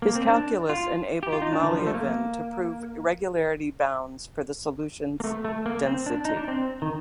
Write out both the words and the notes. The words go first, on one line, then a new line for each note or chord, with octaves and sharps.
His calculus enabled Malliavin to prove regularity bounds for the solution's density.
A#3
C4
D4
F4
G4
F4
D#4
D4
D#3
F3
G3
A3
A#3
A#3
A3
A3
A#3
C4
D4
D#4
D4
C4
D#3